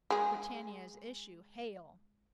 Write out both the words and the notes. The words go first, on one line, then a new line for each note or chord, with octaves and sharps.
Britannia's issue, hail!
G#3 G#4